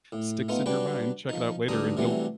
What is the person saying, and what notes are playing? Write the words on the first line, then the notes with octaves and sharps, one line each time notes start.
sticks in your mind, check it out later and you'll
A2
A3 B3 D#4 F4
F#3 G3 D4 B4 G5
F3 D#4
D2 G2 D4 A#5 D#6
C3 E3 F#3 G3 A3